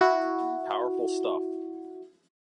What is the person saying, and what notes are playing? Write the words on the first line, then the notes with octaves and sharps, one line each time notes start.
Powerful stuff.
E4 F#4